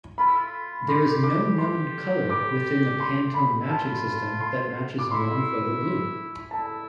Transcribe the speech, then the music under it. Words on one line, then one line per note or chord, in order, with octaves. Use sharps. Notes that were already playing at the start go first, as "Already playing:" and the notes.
There is no known colour within the Pantone Matching System that matches non-photo blue.
F4 B5
E4
F4
G4 C6
D6
C6
D6
C6
B5
E4
F4 A5
C6
D6
E4 C6
E4 A5